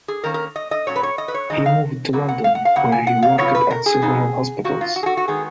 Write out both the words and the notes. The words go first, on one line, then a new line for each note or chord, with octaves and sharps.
He moved to London, where he worked at several hospitals.
G#4
D#3 A#3 C#4 A#4
A#4
D#5
D#5
A#2 F#3 C#4 C#5
B4
C#5
D#5
B4
C#5
F2 D#3 G#3 D#4 D#5
F5
B2 F#3 A#3
F#5
F5
F#5
F5
C#3 F#3 A#3 F#5
G#5
F#5
F5
C#3 F#3 B3 F4 C#5
B4
A#4
G#4
F2 F3 B3 D#4
G#2 D#3 A#3 F#4
F4
F#4
G#4
F#4
F#4
D#3 G#3 B3 G#4